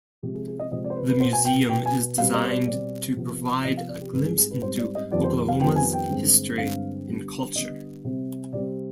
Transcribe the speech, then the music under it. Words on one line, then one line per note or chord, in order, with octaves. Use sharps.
The museum is designed to provide a glimpse into Oklahoma's history and culture.
C3 F3 G#3 C4 G4
G#4
G#4
D#5
C3 F3 G#3 C4 D#5
D5
C5
B4
B4
B2 B3 C5
G#5
G5
B2 B3 G5
G#5
B2 G3 C4 F5
D#5
C5
D5
B2 G3 C4 D5
C3 F3 B3
C3 F3 B3 D#5
F5
D5
G4
G#2 G3 C4 B4
G#4
G#4
B4
G#2 G3 C4 C5
D5
D#5
F2 D#3 G3 B3 D5
C5
F5
F2 D#3 G3 B3 G5
G#5
G5
G2 D3 G#3 C4
G2 D3 G#3 C4 F5
D3 G3 B3
D3 G3 B3 D#5
C3 G3 C4
C3 G3 C4 D5